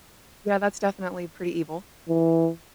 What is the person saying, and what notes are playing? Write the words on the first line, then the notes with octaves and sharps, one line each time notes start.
Yeah, that's definitely pretty evil.
E3